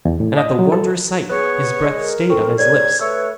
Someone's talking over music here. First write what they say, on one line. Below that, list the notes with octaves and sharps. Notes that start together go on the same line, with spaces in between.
And at the wondrous sight his breath stayed on his lips.
E2
A2
D#5
F#3
A4
B3 G#4 C#5 F#6
G#3
A#4
C4 A4 C#6
G#2 C#5 D5 G#6
A3 B4 C#5 E6